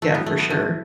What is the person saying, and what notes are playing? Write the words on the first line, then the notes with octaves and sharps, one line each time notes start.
Yeah, for sure.
A3 E4
B3
F#3
A3
B3 E4
A3
E4